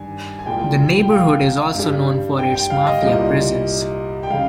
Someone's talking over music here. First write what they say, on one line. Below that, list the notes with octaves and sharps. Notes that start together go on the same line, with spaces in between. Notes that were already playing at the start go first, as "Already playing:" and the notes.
The neighborhood is also known for its mafia presence.
Already playing: G2 D#3 G#5
G#5
C2 A#2 G#3 G5
G5
F5
G2 G3
G5
G5
F5
D#5
C2 A#2 G3 D#5
G5
C#3 G3 F5